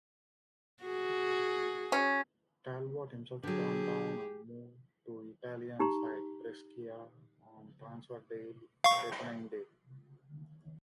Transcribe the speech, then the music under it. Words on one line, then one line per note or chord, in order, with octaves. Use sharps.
Talbot himself turned down a move to Italian side Brescia on transfer deadline day.
F#4 G#4
C#4
D3 F#3 G4 G#4
D#4 G4 A#5 C6
F5 C#6